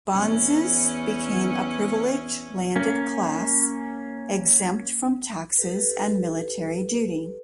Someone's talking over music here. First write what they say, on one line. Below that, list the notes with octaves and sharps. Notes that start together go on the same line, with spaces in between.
Bonzes became a privileged landed class, exempt from taxes and military duty.
E2 C#4
A#3 C#4
G4 A4 B4